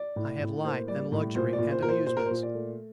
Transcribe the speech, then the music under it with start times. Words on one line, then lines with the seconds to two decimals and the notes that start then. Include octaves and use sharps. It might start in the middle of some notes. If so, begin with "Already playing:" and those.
I had light and luxury and amusements.
Already playing: D5
0.16 A2
0.40 A2
0.64 A#3 C5
0.87 G3 D5
1.12 A2
1.35 A#2 C5
1.53 D5
1.58 A#2
1.71 C5
1.82 A#2 A#4
1.89 C5
2.06 A#2 C5
2.17 A#4
2.26 C5
2.31 A#2
2.43 D5
2.55 A3